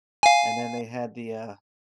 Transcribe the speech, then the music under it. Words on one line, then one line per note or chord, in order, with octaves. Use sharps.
and then they had the, uh
F5 G#5